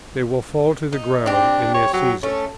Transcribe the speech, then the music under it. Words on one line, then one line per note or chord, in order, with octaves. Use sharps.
They will fall to the ground in their season.
D#4
C4 D4 G4
C#5
F#3
A3 C#4